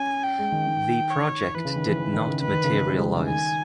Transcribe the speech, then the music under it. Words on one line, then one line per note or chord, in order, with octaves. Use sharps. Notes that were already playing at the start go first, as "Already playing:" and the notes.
The project did not materialise.
Already playing: C#4 G#5
G5
G#3
D#3
D#3
C#5
E3 B4
C#3
D#3
E3
E3
D#3
C#3
D#3 B4
D#3
C#3
D#3
G3
G#3
G3
C#3
D#3
D#3 G#5